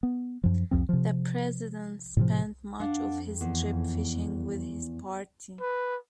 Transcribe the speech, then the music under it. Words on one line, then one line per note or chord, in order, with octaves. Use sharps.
The president spent much of his trip fishing with his party.
B3
F#2 F3
C2 F2 F3 C4
C3 F3
A2 C3 F3
F2 D4 F5 F#5
E2
B4